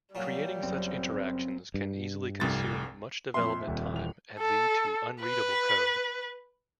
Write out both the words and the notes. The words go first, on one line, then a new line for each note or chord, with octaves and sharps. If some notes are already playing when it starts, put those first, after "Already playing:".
Creating such interactions can easily consume much development time and lead to unreadable code.
A#2 F#3 G3 F4
F#1 C4
G2
F1 C2 A6
F2 A#2 E5 C6
D#1
E3 F7
A4
B4